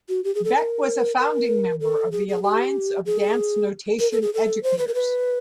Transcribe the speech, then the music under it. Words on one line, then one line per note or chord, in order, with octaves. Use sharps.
Beck was a founding member of the Alliance of Dance Notation Educators.
F#4
G4
G#4
A4
A#4
A#4
A4
G#4
G#4
G4
G#4
A#4
A4
G#4
A4
C5
B4
A#4
B4